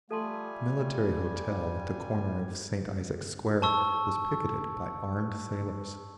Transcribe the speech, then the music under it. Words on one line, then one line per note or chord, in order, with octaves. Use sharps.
The Military Hotel at the corner of St. Isaac's Square was picketed by armed sailors.
G3 A3 F4 A4 G#5 A5 C6
A5 C#6 E6